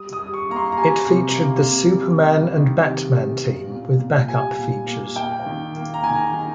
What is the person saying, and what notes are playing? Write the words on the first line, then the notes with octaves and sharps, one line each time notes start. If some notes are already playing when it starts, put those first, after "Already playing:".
It featured the Superman and Batman team with back-up features.
Already playing: G3 D#6
D#6
G3
C#6
A#3 A#5
C6
A#5
G3 G#5
C3
A#3
C3
G3
A#3
D#3
C3
G3
A#2
A#2
A#2
G3 G#5
A#2
A#3
A#3 G5
D#3
A#3
A#5
D#3 G#5
D#3